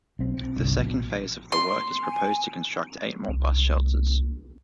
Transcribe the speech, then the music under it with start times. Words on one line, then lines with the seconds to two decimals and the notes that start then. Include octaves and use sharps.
The second phase of the work is proposed to construct eight more bus shelters.
0.19 B1 C4
0.34 C4
0.56 G1 C2 G2
0.77 A#1 B2
1.52 C6
2.03 G#5
3.28 C2